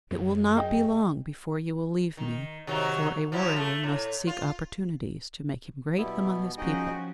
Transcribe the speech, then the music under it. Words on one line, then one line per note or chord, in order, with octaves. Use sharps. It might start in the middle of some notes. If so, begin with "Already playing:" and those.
It will not be long before you will leave me, for a warrior must seek opportunities to make him great among his people.
F#2
G#4 D#5 G5
D#3
C3 D#3 F#3
F3 F#3 E4
A3
A2
F4
B2 G3 B3 E4
F3 C#4 D#4 F#4 G#4 D#5 G5